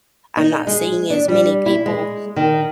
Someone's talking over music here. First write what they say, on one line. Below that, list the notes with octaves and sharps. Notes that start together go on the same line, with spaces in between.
I'm not seeing as many people
D#4
G#3
D4
G3
E4
G#3
D#3